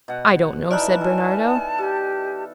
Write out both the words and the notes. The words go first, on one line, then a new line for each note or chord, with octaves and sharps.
"I don't know," said Bernardo.
B2 F#5
E3 D#4 E4 D5 A5 F6 F#6
A4 G#5
G4 A4